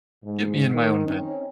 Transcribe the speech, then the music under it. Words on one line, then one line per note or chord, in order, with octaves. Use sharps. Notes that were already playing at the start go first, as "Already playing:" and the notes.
get me in my own bed."
G#2
D#3
C4 C#4 D#4